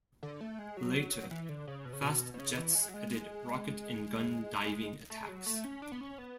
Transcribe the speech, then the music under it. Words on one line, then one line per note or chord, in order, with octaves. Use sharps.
Later, fast jets added rocket and gun diving attacks.
D3
A3
G#3
F#3
E3
D3
C#3
B2
C#3
B2
B2
C#3
E3
G#3
F#3
G#3
A3
G#3
F#3
A3
C#4
D4
B3
C#4
B3